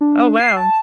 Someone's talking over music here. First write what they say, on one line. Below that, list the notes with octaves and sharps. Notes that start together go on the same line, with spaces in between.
Oh, wow.
D4
C7
A5